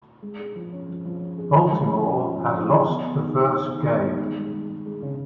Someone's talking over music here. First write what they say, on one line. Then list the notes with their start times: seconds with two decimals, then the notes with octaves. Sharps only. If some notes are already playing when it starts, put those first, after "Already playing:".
Baltimore had lost the first game.
0.22 G#3
0.39 G#4
0.56 F3
0.72 C#4
0.88 F3
1.05 F3
1.21 C#4
1.38 G#4
1.55 F3
1.71 G#3
1.87 C#4
2.04 C#4
2.21 F3
2.37 F3
2.53 F3
2.71 G#4
2.87 B3
3.03 B3
3.20 D#4
3.36 B3
3.52 D#3
3.69 D#3
3.86 B3
4.02 D#3
4.20 G#3
4.36 G#3
4.53 G#3
4.69 G#3
4.86 G#3
5.02 C#3